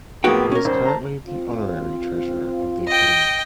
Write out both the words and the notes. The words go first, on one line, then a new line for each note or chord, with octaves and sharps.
He is currently the Honorary Treasurer of the Academy.
A2 F3 A#3 B3 F#4 G#4 G5
C#4 A#4
E1 C5
A5 A#5
C4 F4
D#5 G5